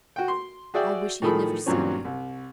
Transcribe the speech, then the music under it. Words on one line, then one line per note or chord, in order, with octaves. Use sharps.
"I wish he had never seen you."
F#4 G5
C6
F#4 G#4 D5 E5 G5
A2 D#3 F3 G#4 A4 B5
G2 A#2 F#3 C4 C#4
C2